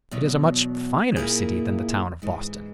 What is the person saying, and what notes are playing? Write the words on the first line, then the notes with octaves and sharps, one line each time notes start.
It is a much finer city than the town of Boston.
E2 B2 F#3
A#2 A#3 E4 G#4
G#2 E3 G#3